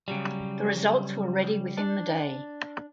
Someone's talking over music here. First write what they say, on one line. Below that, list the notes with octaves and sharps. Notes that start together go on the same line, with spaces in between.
The results were ready within the day.
C#3 F#3 G3
D4